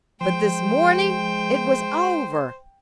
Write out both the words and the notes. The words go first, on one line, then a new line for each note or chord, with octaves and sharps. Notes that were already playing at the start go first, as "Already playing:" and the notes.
But this morning it was over.
F3 G#3 C5 G5